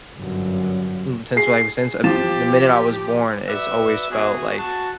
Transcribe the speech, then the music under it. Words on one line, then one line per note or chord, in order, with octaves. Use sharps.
n since, well, I was since, uh, the minute I was born, it's always felt like
G1 F#2
G#4 C7
F3 G4 A6 E7
F#4 B4 D5 E5
B3 F#4 G#4
F#4 A5